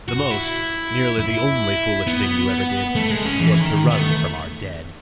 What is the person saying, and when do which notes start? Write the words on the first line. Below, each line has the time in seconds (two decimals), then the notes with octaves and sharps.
"The most--nearly the only foolish thing you ever did, was to run from our dead."
0.08 F#4
0.31 E4
1.19 E4
2.07 B3
2.95 A3
3.11 G#3
3.26 C#4
3.40 E3
3.61 D#3
3.90 B3
3.99 A3